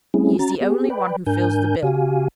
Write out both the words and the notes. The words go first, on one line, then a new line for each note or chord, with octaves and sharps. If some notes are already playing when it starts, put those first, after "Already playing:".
He is the only one who fills the bill.
G3 A3 C4 C#4 E4 G#4
C#4 F#4 A#5 A6
B3 G4 G#4
B4 D5 G5 B5
G#2 D4 A#4 G#5 G6
C#3 F#4 G4 F5 G#5